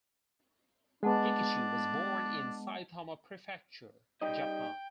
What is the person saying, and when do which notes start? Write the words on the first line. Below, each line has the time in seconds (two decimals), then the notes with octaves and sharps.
Hikichi was born in Saitama Prefecture, Japan.
1.03 G#3 B3 D4 D#5 F#5 A5
4.21 G3 D#4 D#5 G5